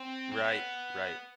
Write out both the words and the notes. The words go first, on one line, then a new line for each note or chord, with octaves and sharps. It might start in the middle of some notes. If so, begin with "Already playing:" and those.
Right, right.
Already playing: C4
C4
B3